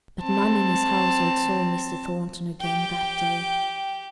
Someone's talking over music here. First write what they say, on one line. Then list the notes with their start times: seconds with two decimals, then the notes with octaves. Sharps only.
But none in his household saw Mr. Thornton again that day.
0.22 C4 A5
2.60 G4 G5